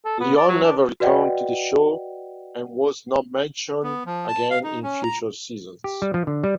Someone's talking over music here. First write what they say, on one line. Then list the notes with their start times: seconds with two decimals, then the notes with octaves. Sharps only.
Leon never returned to the show and was not mentioned again in future seasons.
0.05 A4
0.20 B3
0.36 D5
0.48 F#3
0.64 D4
1.00 F#4 B4 D5 D#5 F#5 G5
3.83 B3
4.06 F3
4.28 A5
4.50 F5
4.64 D#4
4.83 C#4
5.03 A#5
5.84 G4
6.02 G3
6.14 F3
6.27 D3
6.44 G3